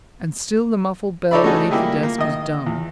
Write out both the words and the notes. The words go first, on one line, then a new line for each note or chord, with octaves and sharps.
And still the muffled bell beneath the desk was dumb.
D#4 A4 C#5 D5 E5 B5
A3 C#4 D#4 F#4 G#4 A4
G3 A#3 E4 G4 G#4
A#3
D#3 D#5
E2